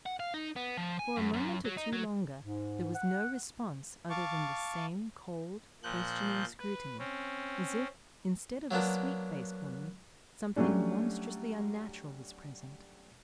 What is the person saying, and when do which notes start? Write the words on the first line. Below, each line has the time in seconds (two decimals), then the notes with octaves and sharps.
For a moment or two longer there was no response other than the same cold, questioning scrutiny, as if, instead of a sweet-faced woman, something monstrously unnatural was present.
0.06 F#5
0.20 F5
0.34 D#4
0.56 B3
0.77 F3
0.99 G#5
1.16 F#2
1.34 F#2
1.65 F#3
1.77 D#4
1.93 F#3
2.42 G#2
2.95 F#5
4.10 F5 A5 C#6 D6
5.83 A#2 F3 F#6 G6
6.59 B4
6.99 C4 C#4
8.71 F#3 A#3 B3 D4
10.56 F#3 G3 A3 C#4 D4